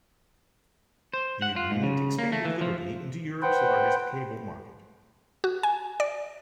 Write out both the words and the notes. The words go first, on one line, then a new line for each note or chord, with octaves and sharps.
The agreement expanded Liberty into Europe's largest cable market.
C5
F#5
F4
G#2
C#3
A#3
A3
E3
F3
B4 C5 F#5 G5
F#4
G#5
D5